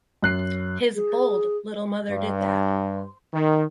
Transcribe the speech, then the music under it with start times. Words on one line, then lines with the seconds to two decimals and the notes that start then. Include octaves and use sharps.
His bold little mother did that.
0.23 F#2 F#6 C7
0.95 G#4
2.10 G2
3.32 D#3